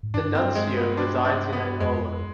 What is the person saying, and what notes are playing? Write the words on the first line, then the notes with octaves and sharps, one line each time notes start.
The nuncio resides in Angola.
G#2
G2 D4
C4
G#3
B3
D4
D4
B3
F2 G#3